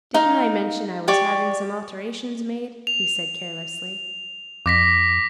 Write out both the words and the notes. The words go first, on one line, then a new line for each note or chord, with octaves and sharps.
"Didn't I mention I was having some alterations made?" he said carelessly.
D#4 F5
G4 D5 C#6 D6
F7
F2 D6 A#6 B6